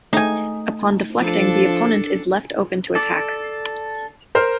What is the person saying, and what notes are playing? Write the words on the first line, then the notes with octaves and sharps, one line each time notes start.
Upon deflecting, the opponent is left open to attack.
A3 D#4 G#5
F3 D4 A4
A4 D5
A#4 C5 F6